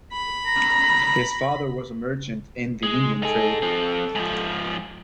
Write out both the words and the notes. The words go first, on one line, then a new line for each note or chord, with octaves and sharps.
His father was a merchant in the Indian trade.
B5
A#5
G#3
D#4 G#4 A4
F3 C4
G#2 F3